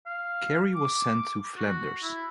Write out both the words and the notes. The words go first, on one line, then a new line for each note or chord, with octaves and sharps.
Cary was sent to Flanders.
F5
D6
F#4
E4